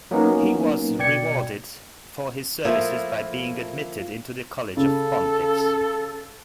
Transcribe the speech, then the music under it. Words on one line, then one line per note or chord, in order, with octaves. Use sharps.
He was rewarded for his services by being admitted into the college of pontiffs.
F#3 A#3 B3 C#4 D#4
B2 D5 G5 G#6 C#7
F3 A3 A#3 E4 F4
C#3 A4